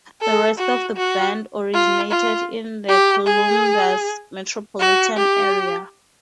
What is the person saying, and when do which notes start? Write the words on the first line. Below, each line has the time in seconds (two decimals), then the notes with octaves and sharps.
The rest of the band originated in the Columbus metropolitan area.
0.22 A4
0.59 F#4
0.97 F#4
1.74 F4
2.12 F4
2.88 G4
3.27 G#4
4.80 F#4
5.17 G4